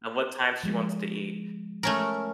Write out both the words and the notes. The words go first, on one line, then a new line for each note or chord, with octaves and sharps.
At what time she wants to eat.
F3 G#3
A3 C#4 A#4